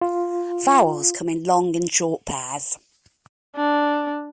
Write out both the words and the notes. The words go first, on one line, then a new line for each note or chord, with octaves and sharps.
Vowels come in long and short pairs.
F4
D4